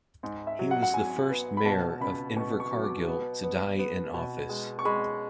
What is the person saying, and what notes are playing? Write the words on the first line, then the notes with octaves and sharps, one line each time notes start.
He was the first Mayor of Invercargill to die in office.
G#2
E5
F#3
F#5
F#5
F#3 G#5
B3
B5
B2 A5
C#2 B5
B2 C#6
C#6
F#3
D6
B3
B3
B3
B2
G#3
C#6
G#3 B5